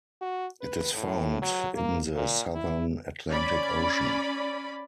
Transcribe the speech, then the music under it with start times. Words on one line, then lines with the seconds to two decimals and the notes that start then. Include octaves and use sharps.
It is found in the southern Atlantic Ocean.
0.21 F#4
0.61 B4
0.94 A2
1.42 F#3
1.75 A#3
2.15 A#2
2.55 E4
3.30 C#4 D5 B5